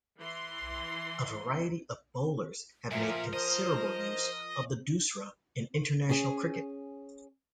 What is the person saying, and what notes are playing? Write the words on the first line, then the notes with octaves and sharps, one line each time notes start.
A variety of bowlers have made considerable use of the doosra in international cricket.
E3 C6
A#2 F3 A#4 E5
C5 D#5
C#4 G#4